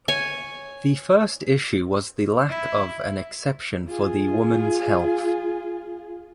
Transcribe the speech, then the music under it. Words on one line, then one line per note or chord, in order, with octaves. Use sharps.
The first issue was the lack of an exception for the woman's health.
C#5 G#5
E4
F4 G#4